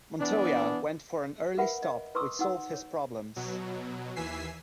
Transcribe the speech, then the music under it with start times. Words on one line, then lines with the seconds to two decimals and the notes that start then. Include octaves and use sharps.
Montoya went for an early stop which solved his problems.
0.20 E3 B3 D4
1.58 A#4 B4 E5 F#5 B5
1.83 D#5
2.15 B4 A#5 C6 C#6 D#6 E6
2.39 D#4 F#4 F#5 E6
2.73 C#5
3.36 B2 F#3
4.16 D#2 E3 G#5 E6 B6 C7